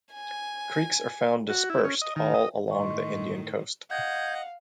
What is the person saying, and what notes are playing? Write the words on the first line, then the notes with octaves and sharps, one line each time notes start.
Creeks are found dispersed all along the Indian coast.
G#5
F#4
E4
C#4
D#5
D#3
D#5
A2 D#3 D#5 C6 C#6
D#5 F5 F#5 G6 G#6